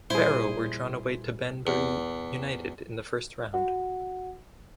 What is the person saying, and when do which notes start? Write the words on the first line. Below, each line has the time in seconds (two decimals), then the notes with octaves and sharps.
Barrow were drawn away to Banbury United in the first round.
0.10 A#2 G3 E4 G#4 C5
1.67 E2
3.54 F#4 F#5